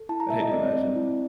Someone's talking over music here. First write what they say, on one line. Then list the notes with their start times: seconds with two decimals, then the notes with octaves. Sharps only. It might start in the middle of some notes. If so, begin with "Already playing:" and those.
I'd hate to imagine
Already playing: A4
0.09 E4 A5
0.20 A#5
0.30 A3 E5
0.41 D#5
0.52 C4 D5
0.74 C4
0.96 E4